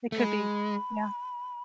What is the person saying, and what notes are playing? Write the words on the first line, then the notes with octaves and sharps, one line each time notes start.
It could be, yeah.
A3
G#3 B5